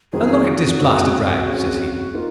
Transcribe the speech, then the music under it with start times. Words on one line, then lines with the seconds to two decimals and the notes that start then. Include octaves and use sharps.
And look at this blasted rag, says he.
0.13 F2 D#3 F#3 C#4 F4 G#4
0.46 F#4
0.80 F#1 F2 C#3 G#3 C#4
1.47 F#1 F2 C#3 G#3 C#4
2.14 A#3 D#4 F4